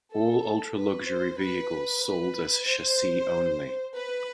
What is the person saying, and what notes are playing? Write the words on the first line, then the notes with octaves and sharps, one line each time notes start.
All ultra-luxury vehicles sold as chassis only.
A4
B4
C5
B4
B4
C5
B4